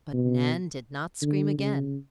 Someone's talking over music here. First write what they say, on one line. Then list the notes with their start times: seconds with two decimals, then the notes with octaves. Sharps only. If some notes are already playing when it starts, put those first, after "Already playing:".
But Nan did not scream again.
0.13 B2
1.22 D3
1.58 C#3